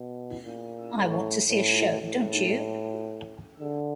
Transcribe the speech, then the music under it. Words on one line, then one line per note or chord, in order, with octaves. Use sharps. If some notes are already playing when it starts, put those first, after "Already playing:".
I want to see a show, don't you?
Already playing: B2
A#2
A2
A2
A2
D3